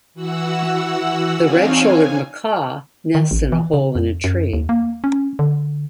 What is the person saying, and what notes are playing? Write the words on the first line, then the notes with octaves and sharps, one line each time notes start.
The red-shouldered macaw nests in a hole in a tree.
E3 F#4 F#5 E6
C4 D4 D#4 C#5 F5 G#5
G#5
D#3
A1
E3
C#3
F2
F#2
D#2
A#3
C#4
D3